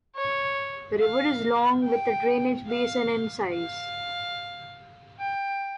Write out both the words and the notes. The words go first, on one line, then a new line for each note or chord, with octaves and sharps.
The river is long, with a drainage basin in size.
C#5
F5
G5
F5
F5
G5